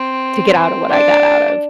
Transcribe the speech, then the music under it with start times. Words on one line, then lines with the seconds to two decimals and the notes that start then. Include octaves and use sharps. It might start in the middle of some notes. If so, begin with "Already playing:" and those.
to get outta what I got out of,
Already playing: C4
0.90 D4